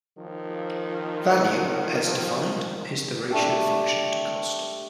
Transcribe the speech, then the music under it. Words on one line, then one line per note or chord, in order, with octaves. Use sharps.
Value, as defined, is the ratio of function to cost.
D#3 F3
A3 D4 G4